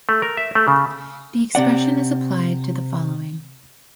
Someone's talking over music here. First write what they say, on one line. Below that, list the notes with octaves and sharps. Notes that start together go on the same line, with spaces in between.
The expression is applied to the following.
A3
A#4
E5
A3
C#3
C3 C4 D5 F#5